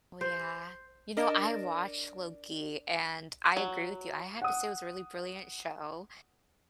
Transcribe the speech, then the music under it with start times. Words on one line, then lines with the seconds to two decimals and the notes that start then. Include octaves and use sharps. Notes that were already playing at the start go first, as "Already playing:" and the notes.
Oh, yeah. You know, I watched Loki, and I agree with you, I have to say it was a really brilliant show,
0.21 C5
1.17 D4 A#4 D#5
3.57 F#3
4.42 F#5 D#6